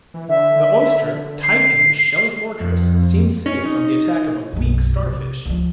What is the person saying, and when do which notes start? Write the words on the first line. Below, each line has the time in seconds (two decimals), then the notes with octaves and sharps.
The oyster, tight in his shelly fortress, seems safe from the attack of a weak Starfish.
0.14 E3
0.29 D3 E5
1.43 C7
2.60 F2
3.46 C#4
3.65 D#4
4.53 B1 F#2
5.03 C3
5.46 C#2 F3